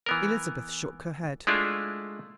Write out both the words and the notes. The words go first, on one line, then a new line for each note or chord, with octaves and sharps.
Elizabeth shook her head.
E3 B3 A#4
G#3 A3 D4 E4 F4